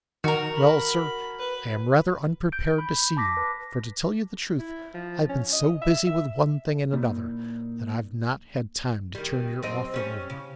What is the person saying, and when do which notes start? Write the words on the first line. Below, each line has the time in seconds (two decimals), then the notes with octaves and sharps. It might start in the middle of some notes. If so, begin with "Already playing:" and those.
Well, sir, I am rather unprepared to see you, for, to tell you the truth, I've been so busy with one thing and another, that I've not had time to turn your offer over.'
0.24 D#3 F#4 A#4
0.56 B5
1.39 B4
2.52 G6 D7
2.78 B5
3.17 A5 D6 A#6 B6
3.37 B4
4.59 E4
4.94 F3
5.29 C#4
5.53 D#5
5.82 E5
6.07 E5
6.93 A#2 A#3 D#4 E4 D5
9.15 D#3 G3
9.62 F#2 C4 D#5
9.94 G3 C#4
10.30 C#3